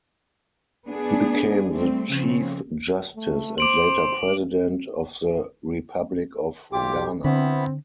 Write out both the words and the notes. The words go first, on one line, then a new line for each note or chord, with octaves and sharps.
He became the Chief Justice and later President of the Republic of Ghana.
B3 D4 G#4
G3 A3 C4
C#3 F3 C4
A3
C5 D6 D7 F#7
B1 F4 G4 D6
D3 B3 C4 E4 B5